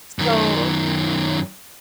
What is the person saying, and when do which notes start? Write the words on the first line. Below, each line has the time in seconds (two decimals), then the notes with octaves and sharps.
S so
0.19 F#2 D#3